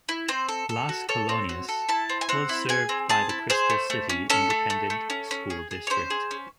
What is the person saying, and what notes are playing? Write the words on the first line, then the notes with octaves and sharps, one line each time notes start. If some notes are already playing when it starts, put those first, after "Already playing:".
Las Colonias was served by the Crystal City Independent School District.
E4
C4 C5
A4
A4
F#4
A4 C#5
C4
F#4
A4
E4 A5
C4
G#5
C4 F#5
E4
G#4 G#5
C4
G#4 A5
E4
G#4 C5
A3
A3
C#4
C#4 A4
A3
A3
A3
C#4
C#4
G#4
G#4
C#5
C#4 C5
G#4
C#4